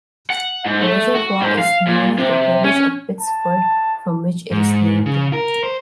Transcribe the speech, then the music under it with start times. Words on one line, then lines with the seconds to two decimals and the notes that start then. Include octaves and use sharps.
The reservoir is near the village of Pitsford, from which it is named.
0.30 F#5
0.66 G#2
0.81 A3
1.15 F#4
1.42 G#2
1.59 F5
1.87 A#2
2.18 C3
2.64 C#4
3.20 A5
4.51 G#2
5.06 C#3
5.33 A#4
5.64 C5